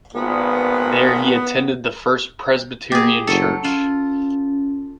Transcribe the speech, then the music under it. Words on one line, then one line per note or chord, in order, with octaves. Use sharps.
There he attended the First Presbyterian Church.
G#1 A#2 B3
A#3 G4 G#4
F#1 F#3 A4
C#4 F4